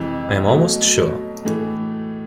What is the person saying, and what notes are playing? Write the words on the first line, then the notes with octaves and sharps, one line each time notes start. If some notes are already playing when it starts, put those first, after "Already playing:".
I am almost sure.
Already playing: F2 C3 E3 G#3
B2 F#3 A3
A2 E3 A3